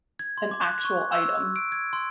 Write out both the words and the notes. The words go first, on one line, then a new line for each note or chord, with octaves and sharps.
an actual item?
G#6
C6
D6
F#6
C#6
E6
D7
G#6
C6